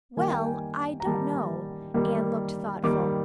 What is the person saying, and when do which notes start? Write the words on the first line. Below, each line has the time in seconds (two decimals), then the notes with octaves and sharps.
"Well, I don't know." Anne looked thoughtful.
0.17 D#3 G3 A#3 G#5
0.30 G5
0.45 G#5
1.00 A#5
1.05 D#3 G3 A#3 A5
1.94 D#3 G3 A#3
2.84 D#3 G3 A#3 D6